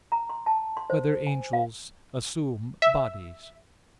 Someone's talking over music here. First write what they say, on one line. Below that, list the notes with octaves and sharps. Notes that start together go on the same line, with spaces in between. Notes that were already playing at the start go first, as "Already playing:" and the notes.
Whether Angels Assume Bodies?
A#5
C6
A5
C6
C5
G#5
F5
E5